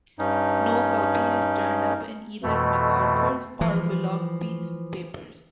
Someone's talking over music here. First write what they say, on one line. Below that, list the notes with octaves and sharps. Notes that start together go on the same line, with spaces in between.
No copy has turned up in either MacArthur's or Willoughby's papers.
G2 C#4 D#4
F2 B2 E3 A3
E3 F3